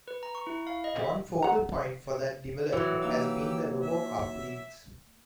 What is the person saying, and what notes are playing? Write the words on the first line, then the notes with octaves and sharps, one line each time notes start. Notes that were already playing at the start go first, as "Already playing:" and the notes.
One focal point for that development has been the Robocup Leagues.
B4
A#5
C#6
E4
F5
D#5
E5
F#5 A#5
E3 F#3 C4 F#4
A#3 D#4 G4 F5 E6
E5